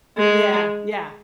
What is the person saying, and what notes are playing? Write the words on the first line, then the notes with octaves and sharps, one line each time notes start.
Yeah, yeah.
G#3